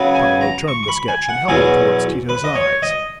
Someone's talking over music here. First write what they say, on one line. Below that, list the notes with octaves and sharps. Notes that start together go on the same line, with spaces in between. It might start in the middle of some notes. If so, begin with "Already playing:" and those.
Piero turned the sketch, and held it towards Tito's eyes.
Already playing: C#3 F#3 B3
G#5
A#5
C#6
C#6
B5
G#5
F#5
E2 B2 F#3 G#4
B4
D#5
C#5
D#5